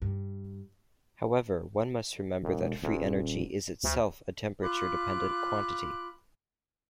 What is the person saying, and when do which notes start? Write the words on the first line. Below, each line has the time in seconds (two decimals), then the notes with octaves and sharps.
However, one must remember that free energy is itself a temperature dependent quantity.
0.02 G2
2.43 E1
2.82 D#1
3.84 D2
4.62 F4 B5 D6 F#6